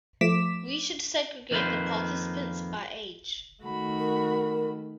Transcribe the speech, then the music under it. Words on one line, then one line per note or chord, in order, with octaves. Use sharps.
We should segregate the participants by age.
F3 A3 D6 B6 E7
F2 D#3 A#3 D4 B4 C5
D#3 A3 F#4 B5
A#4